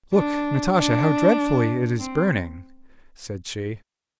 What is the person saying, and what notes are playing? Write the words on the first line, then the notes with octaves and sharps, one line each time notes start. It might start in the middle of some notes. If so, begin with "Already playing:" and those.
"Look, Natasha, how dreadfully it is burning!" said she.
D4
D4
C4